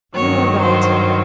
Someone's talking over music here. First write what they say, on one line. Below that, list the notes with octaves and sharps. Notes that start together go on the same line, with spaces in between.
'You are right.
G2 D#3 F#3 C#5
C5